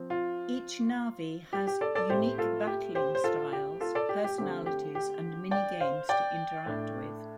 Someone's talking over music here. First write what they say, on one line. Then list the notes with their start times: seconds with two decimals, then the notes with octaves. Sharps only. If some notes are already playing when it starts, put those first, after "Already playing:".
Each Navi has unique battling styles, personalities, and mini-games to interact with.
Already playing: F3 C4
0.10 F4
1.53 G4
1.67 G4
1.81 A4 D5
1.95 A4 D5
2.09 A2 A3 C4 G4 C5
2.38 F4 A4
2.67 G4
2.95 G4 C5
3.15 C5
3.24 F4 A4
3.53 G4
3.80 F4 A4
3.95 A4 D5
4.09 G4
4.24 G4
4.38 D3 A3 C4 G4
4.66 G4
4.95 G4
5.51 D5 G5
5.80 C5 F5
6.09 D5 G5
6.66 A2 A3 D4